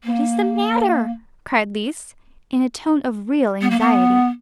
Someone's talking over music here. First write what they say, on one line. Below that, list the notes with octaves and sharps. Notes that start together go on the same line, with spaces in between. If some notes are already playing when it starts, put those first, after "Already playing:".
"What is the matter?" cried Lise, in a tone of real anxiety.
A#3
B3
A#3
B3